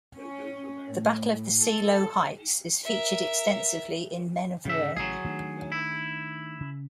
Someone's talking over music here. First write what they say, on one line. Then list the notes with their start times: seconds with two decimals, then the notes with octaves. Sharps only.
The Battle of the Seelow Heights is featured extensively in Men of War.
0.15 C#4
0.87 A2
1.64 A4
2.85 A#4 E5
4.65 G#2 C#3 E5
4.97 A1 A2 C#3 F#3 G#4
5.24 D#3 A3 D4
5.72 E4
6.61 C#3